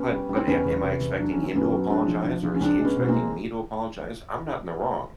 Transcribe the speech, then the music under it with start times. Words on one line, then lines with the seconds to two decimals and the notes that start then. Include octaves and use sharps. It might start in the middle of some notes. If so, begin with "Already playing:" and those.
but but a am I expecting him to apologize, or is he expecting me to apologize? I'm not in the wrong.
Already playing: B3 C#4
0.12 G3
0.29 G3
0.37 C4
0.47 E2 B3 C#4
0.65 E2
0.83 C3
1.01 E2
1.18 F#3 D4
1.31 C#4
1.37 D#3
1.43 C4
1.54 F#2 B3 C#4
1.72 F#3
1.90 G#3 C4 D4
2.08 F3
2.25 F3
2.43 F3
2.55 C#4
2.60 C#2 C4 D4
2.79 G#3
2.84 B3 C#4
2.97 B2
3.08 A#3 C4
3.14 G#3